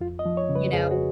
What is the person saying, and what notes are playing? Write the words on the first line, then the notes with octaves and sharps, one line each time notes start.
You know.
F2 F4
D#5
F3
C#5
C#3
B4
F2 G#4
F#4